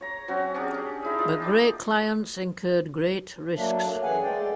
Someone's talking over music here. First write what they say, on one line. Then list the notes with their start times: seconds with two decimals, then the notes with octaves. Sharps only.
But great clients incurred great risks.
0.01 C#5 A#5
0.28 F#3 C4 C#4 F#4
0.54 C#4 D4 G4 G#4
1.02 D#4 E4 G#4
1.19 D#4 F4
1.40 E3 D4 G5
3.55 F#3 A3 A#3 D4
4.03 F#2 E3 G#4 F5 F#5 G#5
4.23 G#3 A3 D5 G5